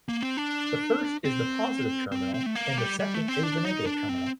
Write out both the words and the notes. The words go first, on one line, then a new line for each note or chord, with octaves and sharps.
The first is the positive terminal and the second is the negative terminal.
A#3
C4
D4
C4
C4
C4
A3
A#3
G3
G3
A3
C4
D4
D#4
D4
C4